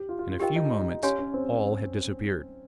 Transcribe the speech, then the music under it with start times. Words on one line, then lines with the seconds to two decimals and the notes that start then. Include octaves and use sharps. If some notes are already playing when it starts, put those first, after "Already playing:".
In a few moments, all had disappeared.
Already playing: G4
0.09 F4
0.19 F4
0.29 F4
0.40 F4 G4 A#4 D#5 G5
0.56 D#4
1.03 C#4 G4 C#5 F5 G#5 C6
1.19 C#4
1.34 C4